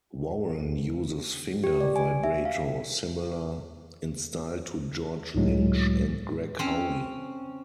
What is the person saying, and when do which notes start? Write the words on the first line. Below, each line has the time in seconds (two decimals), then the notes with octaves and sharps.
Warren uses finger vibrato, similar in style to George Lynch and Greg Howe.
1.64 G4
1.80 D5
1.96 G#5
2.24 E5
2.45 F5
5.35 C#2 A2 F#3 G#3
6.59 C4 C#4